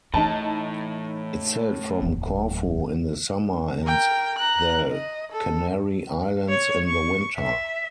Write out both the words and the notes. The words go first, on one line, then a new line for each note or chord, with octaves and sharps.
It sailed from Corfu in the summer and the Canary Islands in the winter.
A2 E3 D#4 A5
D1 F#3
A#4 G5
A#5 F#6
D#5
A4
C#5
C#6
E5